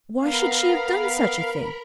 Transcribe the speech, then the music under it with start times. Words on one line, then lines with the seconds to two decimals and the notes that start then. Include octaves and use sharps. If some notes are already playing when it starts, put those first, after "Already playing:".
Why should she have done such a thing?
0.21 B3 A#4 F5 A#5 B5